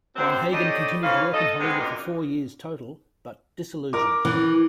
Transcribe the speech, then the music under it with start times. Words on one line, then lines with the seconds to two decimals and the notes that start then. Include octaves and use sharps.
Rein-Hagen continued to work in Hollywood for four years total, but disillusioned.
0.16 F#2 C4
0.53 G3 D4 G4 A4 C#5 D#5
1.03 D2 E3 F3 C#4 F5
1.33 A4 D#5
1.60 C3 G#3 B3
1.80 F#2 A#2 D4 A#4 D#5
3.93 A#4 D6
4.25 E3